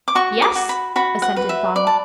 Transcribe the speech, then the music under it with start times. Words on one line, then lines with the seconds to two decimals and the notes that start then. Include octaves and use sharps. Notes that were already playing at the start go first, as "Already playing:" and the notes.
"Yes," assented Thong.
0.08 D6
0.15 F#4 C#6
0.42 D6
0.56 F#4
0.69 B5
0.96 F#4 B5
1.22 F#5
1.36 B4
1.49 E5
1.76 D5
1.87 A5